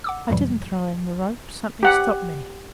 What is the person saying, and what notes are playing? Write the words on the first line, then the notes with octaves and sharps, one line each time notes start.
I didn't throw him the rope; something stopped me.
F#5 D6 E6
F2 A2 C3 E3 F#3 G3
G4 F#5